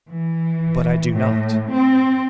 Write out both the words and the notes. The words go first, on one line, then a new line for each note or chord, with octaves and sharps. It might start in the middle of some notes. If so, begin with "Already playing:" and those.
"But I do not."
E3
A2
C4